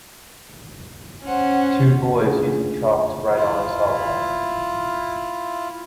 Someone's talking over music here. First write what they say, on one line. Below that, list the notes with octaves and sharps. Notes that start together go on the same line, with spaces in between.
Two boys using chalk to write on a sidewalk.
C#4 C5 F#5
C#3 A3 D4 F4 G#4
E4 F4